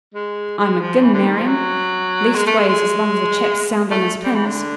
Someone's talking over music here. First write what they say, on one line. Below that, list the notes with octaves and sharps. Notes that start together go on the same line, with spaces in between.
I'm agin marrying, leastways as long as a chap's sound on his pins.
G#3
G#3
F3
E3
D3
D#3
F3
F#3
G#3
A3
G#3
G#3
A3
G3
E3
D3